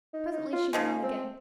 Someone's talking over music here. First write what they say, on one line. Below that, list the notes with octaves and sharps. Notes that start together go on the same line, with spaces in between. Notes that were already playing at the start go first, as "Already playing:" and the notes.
Presently she went on again.
D#4
D#4
F4
C#3 F3 G#3 D#4
C4